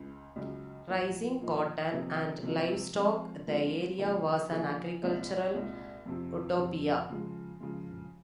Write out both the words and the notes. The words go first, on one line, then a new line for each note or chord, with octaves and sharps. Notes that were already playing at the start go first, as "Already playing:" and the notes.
Raising cotton, and livestock, the area was an agricultural Utopia.
Already playing: C#2 C#3
C#2 C#3 F#3
A#2 F3 A#3 D#4
A#2 F3 A#3 D#4
C3 F3 A#3 D#4
C3 F3 A#3 D#4
F3 G#3 C4 F4
F3 G#3 C4 F4
C#3 F3 A#3 D#4 G#4
C#3 F3 A#3 D#4 G#4
C2 A#2 G#3 D#4
C2 A#2 G#3 D#4
F2 C3 F3
F2 C3 F3
C#3 F3 G#3
C#3 F3 G#3